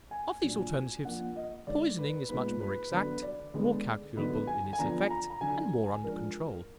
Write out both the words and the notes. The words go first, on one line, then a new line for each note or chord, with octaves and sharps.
Of these alternatives, poisoning is much more exact, more calculable in its effect and more under control.
G#5
A#2 F#3 D4
F3 A#3 D4 F#5
D#5
D3 G#3 D#4 D5
B4
A#2 G#3 B3 D#4 B4
B4
D3 F#3 B3 D4 B4
D5
D3 G#3 B3
D3 F#3 B3 D#4 B4
G#5
G#5
D3 F3 B3 D4 A#5
A#5
A#5
D3 F#3 D4 G#5
F3 G#3 D4 A#4